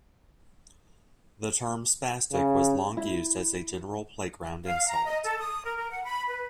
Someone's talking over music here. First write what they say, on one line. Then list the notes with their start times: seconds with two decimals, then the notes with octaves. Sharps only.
The term "spastic" was long used as a general playground insult.
2.32 C#3
2.97 E4
4.64 F5
4.87 A#5
5.05 D#5
5.23 A4
5.39 D#6
5.64 A#4
5.77 A#4
5.90 F#5
6.03 B5
6.27 B4